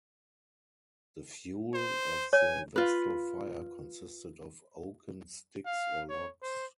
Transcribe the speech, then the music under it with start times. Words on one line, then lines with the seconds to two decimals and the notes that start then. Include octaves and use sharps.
The fuel of the Vestal fire consisted of oaken sticks or logs.
1.74 C5
2.33 C#5 G#5
2.76 F4 B4
5.66 F5
6.09 C#5
6.42 C5